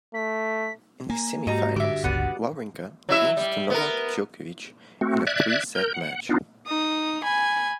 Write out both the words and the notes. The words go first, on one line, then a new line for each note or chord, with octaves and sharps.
In the semifinals, Wawrinka lost to Novak Djokovic in a three set match.
A3 B6
A#3 G#5 A#5
G#2 D#4 F#4 G4 A#5
G2 D3 E5 D6
G1 C#2 B3 D5 F#5
F#3 E4 E5
G3
B3 A#4
A3 C4 F#4
D5 E5 F#6 G#6
A#4 G6
F#5
B3 D4 D#4 F4
D#4 D#6
G#5 B5